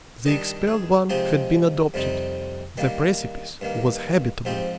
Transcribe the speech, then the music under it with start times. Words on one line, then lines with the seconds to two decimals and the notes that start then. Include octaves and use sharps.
The expelled one had been adopted; the precipice was habitable.
0.26 D#3 G3 D4 D#5
0.67 G#4
1.10 C3 F3 G#3 C4 D#4 G4
1.94 F2 C3 G3 C4 D#4
2.77 D#3 G3 A#3
3.61 G2 D#3 A#3
4.45 G#2 F3 C4 D#4 G4